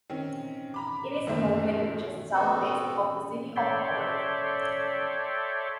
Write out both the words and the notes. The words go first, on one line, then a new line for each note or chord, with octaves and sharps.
It is located just southeast of the city of Ohrid.
D#3 C4 C#4
A#5 B5 D6
G1 F#2 D#3 A3 C5 E5
B3 C4 F#4 A4
A4 C#5 D5 E5 G5 C6